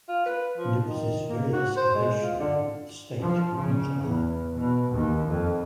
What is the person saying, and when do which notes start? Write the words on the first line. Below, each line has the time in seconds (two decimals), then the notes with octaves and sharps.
And it was this very escalation that the state could not allow.
0.08 F4
0.26 B4
0.58 F3
0.87 D#3
1.29 A#3
1.53 F#4
1.77 C5
1.94 G#3
2.22 F4
2.40 D3
3.19 F3
3.55 C#3
4.03 E2
4.55 B2
4.90 D#2
5.26 F2